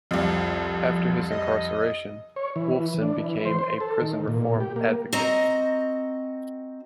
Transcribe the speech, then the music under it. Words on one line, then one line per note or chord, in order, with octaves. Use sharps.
After his incarceration, Wolfson became a prison-reform advocate.
C2 F2 F3
D#5
C#5
E3
D4
E3
C5
C5
A4
D#3
A#2
G4
A#3
C4 F#4 D#5 A#5